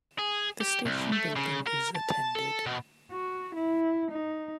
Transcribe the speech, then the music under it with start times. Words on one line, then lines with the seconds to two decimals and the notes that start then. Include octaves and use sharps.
The station building is attended.
0.19 G#4
0.61 G4
0.86 C2
1.12 A3
1.36 C#3
1.67 A#4
1.95 A5
2.35 A4
2.66 B2
3.12 F#4
3.55 E4
4.11 D#4